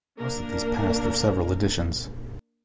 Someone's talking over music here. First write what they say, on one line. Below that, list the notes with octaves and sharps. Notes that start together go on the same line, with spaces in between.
Most of these passed through several editions.
A#3 D4 A#4